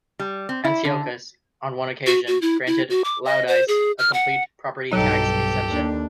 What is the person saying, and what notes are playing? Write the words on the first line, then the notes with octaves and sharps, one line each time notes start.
Antiochus, on one occasion, granted Laodice a complete property tax exemption.
G3
C4
E4
D3
F#4
F#4
E4
E4
F#4
D6
D#5
C5
G#4
F6
F#5
B1 G2 F#3 D#4 G4 A4
D#2 D4